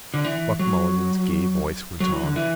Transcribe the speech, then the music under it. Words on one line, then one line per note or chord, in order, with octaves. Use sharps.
Buck Mulligan's gay voice went on.
D3
E3
F#3
F#3
E3
D3
E3